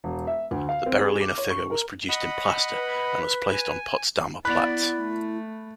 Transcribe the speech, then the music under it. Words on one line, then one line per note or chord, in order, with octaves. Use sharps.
The Berolina figure was produced in plaster and was placed on Potsdamer Platz.
E1
E5
D2
F5
C4
G#4
D6
C#5
C#6
A#4
D#5 F#5 B5
B4
G#5
B3 E4 D5 B5 F#6
A3